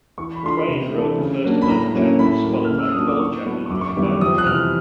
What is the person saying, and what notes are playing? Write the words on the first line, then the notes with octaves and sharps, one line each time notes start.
Twain wrote the first eleven chapters, followed by twelve chapters written by Warner.
E3 C#6
B5
A3 D4 F4 C6
B5
C3
E3 A3 D4
C#3
F#3 A#3 D4
B5
A2 A#5
F#3 A#3 C#4 E4
A2 B5
A#3
F#3
F6
C#3
E6
F#3 A#3 D4 F4 D#6
D6
A2 C#6
F#3 B3 D4
C#6
F#2 D6
C#6
D6
D#3 G3 B3 E4
D6
F2 D#6
F#6
C3 E3 F6